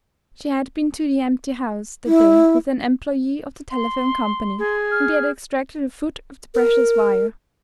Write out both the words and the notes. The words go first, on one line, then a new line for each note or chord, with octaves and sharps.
She had been to the empty house that day with an employee of the telephone company, and they had extracted a foot of the precious wire.
E4
C6
G#4
F6
A#4